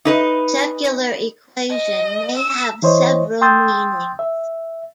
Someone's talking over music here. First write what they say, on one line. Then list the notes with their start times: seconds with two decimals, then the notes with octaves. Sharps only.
"Secular equation" may have several meanings.
0.05 D#4 B4 D#5
1.70 D#5
2.37 E6
2.82 E3 E4 C5 C#5 D#5
3.41 G5 C6 D#6 E6 G6 A6
4.19 E5